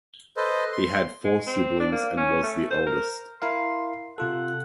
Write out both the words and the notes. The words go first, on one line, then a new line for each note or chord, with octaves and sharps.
He had four siblings and was the oldest.
A4 B4 C5 D#5
C6
G#3
C4
D4
A#3
C#4
A3
C5
A#4
E4 A#4 F5 C6
C3 F4 A4 F#5